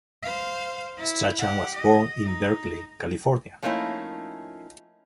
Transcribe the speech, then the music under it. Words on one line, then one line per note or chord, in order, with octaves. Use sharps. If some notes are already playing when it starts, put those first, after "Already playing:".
Strachan was born in Berkeley, California.
C5 F5
E4
G4 F#5
D#5
D#4
F3 A3 A#3 C#4 D#4 E4